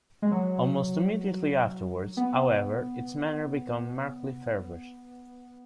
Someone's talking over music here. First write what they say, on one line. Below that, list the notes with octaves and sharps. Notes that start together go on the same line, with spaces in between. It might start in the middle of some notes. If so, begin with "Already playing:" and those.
Almost immediately afterwards, however, its manner became markedly feverish.
G#3
F#3
B3